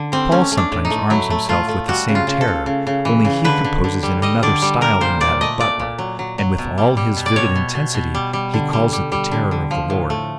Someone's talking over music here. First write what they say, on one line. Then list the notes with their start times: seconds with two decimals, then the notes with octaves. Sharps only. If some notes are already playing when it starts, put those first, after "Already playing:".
Paul sometimes arms himself with the same terror; only he composes in another style than that of Butler, and, with all his vivid intensity, he calls it the terror of the Lord.
Already playing: D3
0.12 G3 C4
0.31 A3 C#4
0.52 A3
0.57 D4
0.72 A2
0.85 D#4
0.90 A3
1.10 F#3 E4
1.30 A3
1.49 A3 F4
1.68 A3
1.88 G3 F#4
2.08 C#3
2.15 F4
2.27 C#3
2.41 A4
2.48 C#3
2.66 C#3
2.87 C#3
3.05 E3
3.25 C#3
3.44 D3 B4
3.64 D3
3.84 D3
4.03 G3
4.22 G3 D#5
4.43 D3 D5
4.62 G3
4.81 G3 A#4
5.01 A#2 C5
5.20 A#2 D5
5.41 A3 D#5
5.60 A#2 D5
5.79 A#2
5.98 F#3
6.19 F#3
6.38 F#3
6.58 B2
6.78 G3
6.97 G3
7.17 B2
7.26 D5
7.36 B2 C#5
7.56 B2
7.75 B2
7.94 B2
8.14 G3
8.33 G3
8.54 D3
8.73 G3
8.93 G3
9.12 G3
9.31 D3
9.51 D3
9.71 F3
9.90 A2
10.10 A3